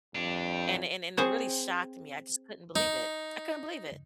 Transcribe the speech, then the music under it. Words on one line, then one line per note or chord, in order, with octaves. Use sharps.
And it and and it really shocked me, I just couldn't believe it, I couldn't believe it.
F2 D4 G4
C4 G#4 C5 C#5
D#4